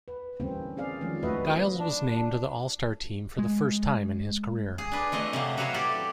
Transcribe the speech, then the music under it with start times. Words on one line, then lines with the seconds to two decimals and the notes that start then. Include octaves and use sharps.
Giles was named to the All-Star team for the first time in his career.
0.08 B4
0.40 D3 E3 G3 A#3 C4 C#4
0.77 C4 C#4 G#4 D5 F5
1.01 D#3 F3 F#3 G#3 A#3 C#4
1.23 A3 E4 F#4 B4 D#5 E5
1.79 D4
3.39 G#3
4.78 G#4
4.92 D4 B4
5.12 F2 A3 D#5 G#5
5.33 C3 F#3 A#3
5.57 F#3 F#4 B4 C#5 F5
5.74 E4 G4 A4 D5